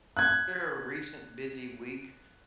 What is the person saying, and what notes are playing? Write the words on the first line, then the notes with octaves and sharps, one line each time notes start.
There a recent busy week
F#6 G#6